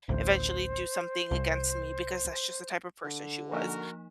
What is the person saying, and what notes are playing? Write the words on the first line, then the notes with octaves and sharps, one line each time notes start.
eventually do something against me because that's just the type of person she was,
A1 D2 C5
C2
D3
F3 A#3 D#4 F#4 A#4